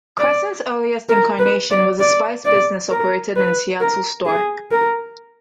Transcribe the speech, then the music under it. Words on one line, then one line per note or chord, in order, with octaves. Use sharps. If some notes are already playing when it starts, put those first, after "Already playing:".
Crescent's earliest incarnation was a spice business operated in a Seattle store.
D5
A#4
B4
D5
D5
D5
A#4
B4
A#4
G#4
A#4